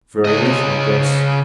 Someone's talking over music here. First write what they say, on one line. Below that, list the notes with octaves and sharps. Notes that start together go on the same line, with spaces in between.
"Very little, Guss."
C#3 D#5